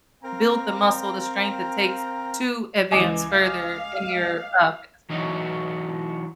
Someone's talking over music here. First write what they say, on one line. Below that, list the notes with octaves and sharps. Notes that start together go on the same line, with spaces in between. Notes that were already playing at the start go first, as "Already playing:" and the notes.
build the muscle, the strength it takes to advance further in your, uh, dance pole
C4 A#4 F5 G5 A#5
C#2 E3 D#5 G#5 D6
F5
E3 F#3 D#4 E4 F#4